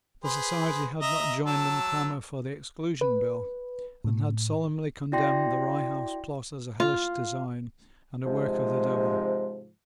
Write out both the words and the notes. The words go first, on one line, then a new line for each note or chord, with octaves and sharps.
The society had not joined in the clamour for the Exclusion Bill, and had solemnly condemned the Rye House plot as a hellish design and a work of the devil.
G#4 B4 C5
D#5 E5 A#5
F#3 A5 E6
B4
A2
E4 F#4 D5 G5 C6 A#6
F4
G#2 C3 F3 G#3